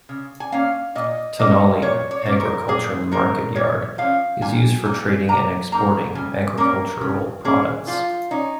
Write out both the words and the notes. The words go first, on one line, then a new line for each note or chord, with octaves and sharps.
"Tenali Agriculture Marketyard" is used for trading and exporting agricultural products.
C#3
G#5
A#3 C#4 F5
A#2 D#5
A#3 C#4 D#5
A#2 C#5
C#5
A#3 C#4
A#4
A#2 G#4
F3 C#4 A#4
A#2 C#5
F3 C#4 F5
A#2 G#5
A#3 D#4 G#5
A#2 A#5
A#3 D#4 A#5
C#3 G#5
A#3 C#4 A#4
C#3
A#3 C#4 G#4
F3 F4
C#4 D#4